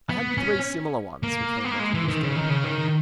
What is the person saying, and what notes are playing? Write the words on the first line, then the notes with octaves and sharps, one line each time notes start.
"I had three similar ones," returned Monte Cristo.
B3
C#4
A#3
B3
A#3
G#3
E3
D#3
C#3
D#3
C#3
D#3